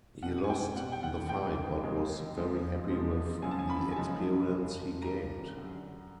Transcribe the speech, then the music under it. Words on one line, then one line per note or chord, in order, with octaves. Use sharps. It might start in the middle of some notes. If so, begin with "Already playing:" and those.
He lost the fight but was very happy with the experience he gained.
B2 G3 F#5
G#5
G5
B2 G3 F#5
G5
F#5
F2 C3 E3 G#3 G5
F2 C3 E3 G#3
F2 C3 F3 G#3
F2 C3 F3 G#3
F#2 C#3 F3 G#3 G#5
A5
G#5
B5
G#5
F#2 C#3 F3 G#3 A5
G2 E3 G3
G2 E3 G3 A#5
F#2 D3 G3